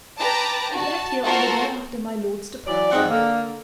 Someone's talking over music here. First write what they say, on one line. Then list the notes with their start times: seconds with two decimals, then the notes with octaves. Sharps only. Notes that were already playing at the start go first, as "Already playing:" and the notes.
"She left here on the day after my lord's departure."
0.19 B4 G5 A5 A#5 D6
0.72 F#4 A5
1.24 F4 F#4 A4 A#4 C5
2.67 E3 F#3 D5
2.91 G#2 C4 D#4 F#5
3.10 D3 A#3